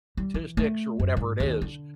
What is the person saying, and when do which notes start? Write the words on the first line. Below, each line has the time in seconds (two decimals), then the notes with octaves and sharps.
statistics, or whatever it is,
0.17 G3
0.34 E3
0.57 A3
1.00 F#2
1.17 G#2
1.40 D#2
1.62 D3